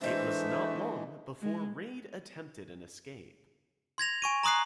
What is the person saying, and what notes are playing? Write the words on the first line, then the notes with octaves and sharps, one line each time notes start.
It was not long before Reid attempted an escape.
E3 G#3 A3 D4 D#4 C5 E5
G#3
C6 G#6 A#6 F7
G#5 C#6 D#7
A#5 C6 D#6 F#6 C7